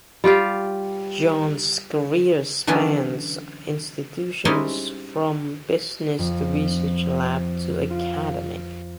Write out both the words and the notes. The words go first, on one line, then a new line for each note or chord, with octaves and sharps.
Jones’s career spans institutions from business to research lab to academic.
G3 F4 G4 F5
D3 E3 F#3 B3 C#4 D4
G3 G#3 C4 C#4 D#4 E4
F2
F4